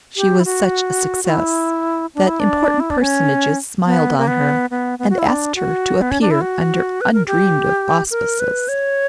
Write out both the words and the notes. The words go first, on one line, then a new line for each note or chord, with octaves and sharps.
She was such a success that important personages smiled on her and asked her to appear under undreamed of auspices.
G4
E4
F#4
F#4
E4
D4
E4
D4
E4
D4
C#4
B3
A#3
B3
B3
B3
F#4
E4
D4
F#4
B3
C#4
D4
E4
F#4
B4
A#4
G4
A#4
B4
C#5